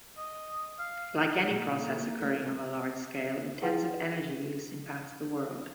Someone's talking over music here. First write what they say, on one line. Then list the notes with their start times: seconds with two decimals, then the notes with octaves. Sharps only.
Like any process occurring on a large scale, intensive energy use impacts the world.
0.17 D#5
0.79 F5
1.24 A#4
1.45 A#2 F4 F#5
1.77 D#3 E3 A#3 F4 A4
2.00 A#3
2.20 A3 C#4 F4 A4 A#4
2.44 G3 C5 G#5
3.62 E4 G#4 B4 F#5 G5 C6